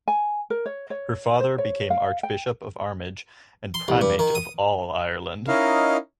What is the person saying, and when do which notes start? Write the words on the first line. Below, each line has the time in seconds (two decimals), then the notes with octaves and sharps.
Her father became Archbishop of Armagh and Primate of All Ireland.
0.08 G#5
0.50 A#4
0.66 C#5
0.90 C#5
1.40 C5
1.58 C#5
1.90 F5
2.23 G5
3.74 C6
3.88 C2
4.01 G2
4.19 D#3
4.35 D#6
5.48 C#4 D#4 E4 A#4 D#5 F5